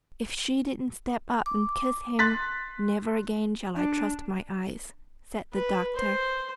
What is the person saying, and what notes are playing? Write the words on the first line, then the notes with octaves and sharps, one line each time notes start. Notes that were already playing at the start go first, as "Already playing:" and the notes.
"If she didn't step up and kiss him, never again shall I trust my eyes!" said the doctor.
D6
C6 F#6 A6 B6
D4
B4
C5